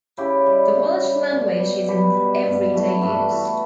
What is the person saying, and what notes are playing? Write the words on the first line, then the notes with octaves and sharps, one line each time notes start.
The Welsh language is in every day use.
C#3 E4 G4
G3
C#3
G3
B2
G3
B2 G4 B4
G3
G2
E3 A3
G2 F#4 A4
E3 A3